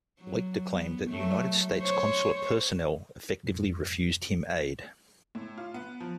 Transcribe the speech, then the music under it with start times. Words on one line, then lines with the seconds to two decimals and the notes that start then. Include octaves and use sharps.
Leuchter claimed that United States consulate personnel effectively refused him aid.
0.19 F#3
0.73 B3
1.09 F#3 A3
1.79 C5 C#5
3.43 F2 G#2 C3 F#3
5.35 A2
5.58 F4
5.74 B3
6.00 F3